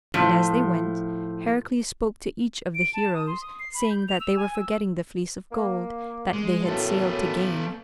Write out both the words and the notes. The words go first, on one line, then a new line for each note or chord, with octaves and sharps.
And as they went, Heracles spoke to each of the heroes, saying that they were forgetting the Fleece of Gold that they had sailed to gain.
A2 F3
D7
A5
D#6
C6
D#6
C7
B5
G6
F7
E6
G#5
E6
A#3
G#3
F#2 A2 B3 A4